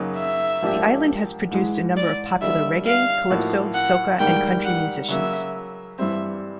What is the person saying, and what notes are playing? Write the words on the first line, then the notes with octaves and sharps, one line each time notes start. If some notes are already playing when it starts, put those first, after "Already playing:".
The island has produced a number of popular reggae, calypso, soca and country musicians.
Already playing: F#2 C#3 F#3 A#3 D#4
E5
G#2 F3 A#3 D4 G4
G#2 E3 G#3
D5
D#2 D3 G3 A#3 D#4 E5
F5
A2 F3 A#3 D#4 F#4
F#5
G#2 D#3 G3 A#3 G5
F#5
C#3 F#3 A#3 E5
G2 E3 G3 C4 E5